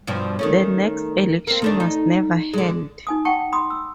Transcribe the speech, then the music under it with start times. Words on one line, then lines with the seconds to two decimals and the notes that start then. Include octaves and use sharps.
The next election was never held.
0.07 G2 B2 F3
0.39 D#3 A3 C#4
1.47 A#3 C4
1.62 D#3 A3 D4
1.80 D#4
2.54 D3 G#3
3.07 D#4 G#5 D#6
3.25 F#5 G5 A5 C#6
3.52 B5 C6 D#6
3.70 E6